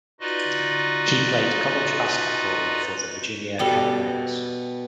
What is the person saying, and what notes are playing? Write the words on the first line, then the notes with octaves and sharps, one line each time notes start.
He played college basketball for the Virginia Cavaliers.
D#4 F4 F#4 B4 D5 D#5
B2 G3 A4